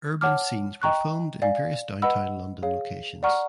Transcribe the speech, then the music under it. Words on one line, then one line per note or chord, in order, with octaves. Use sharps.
Urban scenes were filmed in various downtown London locations.
C#5 F#5 A5 D6 F6
D#5 G5 A#5 C#6 F#6
D5 F5 G#5
B4 D#5 F#5 B5 E6
G#4 C#5 F5
D5 F#5 A#5 C#6 F6